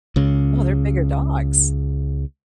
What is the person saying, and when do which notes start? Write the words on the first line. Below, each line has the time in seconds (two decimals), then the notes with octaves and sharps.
Wow, they're bigger dogs.
0.16 C#2 C#3